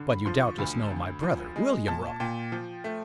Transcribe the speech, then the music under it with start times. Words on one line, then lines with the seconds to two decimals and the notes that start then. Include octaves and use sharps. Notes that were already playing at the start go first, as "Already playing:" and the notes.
But you doubtless know my brother, William Rugg.
Already playing: G2 D3
0.10 B5
0.26 F3 C6
0.42 C#6
0.58 D2 B5
0.90 D2
1.23 F3
1.56 G#3
1.88 A#2 A5
2.20 A#2 G5
2.52 F3
2.84 A3